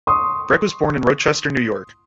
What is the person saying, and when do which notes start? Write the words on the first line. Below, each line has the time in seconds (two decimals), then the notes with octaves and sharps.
Breck was born in Rochester, New York.
0.07 C6 C#6 D#6